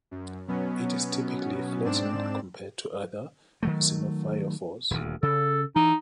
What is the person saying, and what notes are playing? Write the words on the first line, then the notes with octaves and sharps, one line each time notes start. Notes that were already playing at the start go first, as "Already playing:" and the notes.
It is typically flattened compared to other xenophyophores.
F#2
B2 F#3 B3 C#4
G#2 C4 D4 D5 E7
D#3 F#3 A3
D#1 D2
C#3 A4
E3 D#4